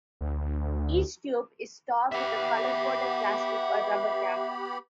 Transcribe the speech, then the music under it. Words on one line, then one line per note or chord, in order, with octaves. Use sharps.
Each tube is topped with a color-coded plastic or rubber cap.
D2
B3 G4 E5 F#5 B5